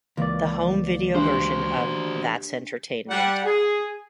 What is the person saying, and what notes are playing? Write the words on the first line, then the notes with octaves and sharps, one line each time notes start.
The home video version of That's Entertainment!
C#2 E3 A#3 D5
D4 F#4 G4 C5
G3 F#5
G#4